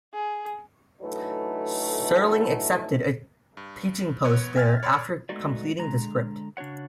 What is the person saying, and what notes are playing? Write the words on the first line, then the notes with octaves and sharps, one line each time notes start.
Serling accepted a teaching post there after completing this script.
G#4
D3 E3 F#3 A3 D#4 B4
G2
A1 B3 C#5 F#6 G#6
E5 G5 G#5 F6 G#6 A6
C#5 D5 B5 C6 A6
G#3 A3 B3 D#4 F#4 D5
D3 G#3 A#5
C#3 D4 F#4 C#5 F#5